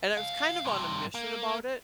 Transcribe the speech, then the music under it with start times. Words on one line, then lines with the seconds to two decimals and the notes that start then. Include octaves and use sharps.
And I was kind of on a mission about it,
0.17 C#2 F5
0.65 G2 C3
1.15 A#3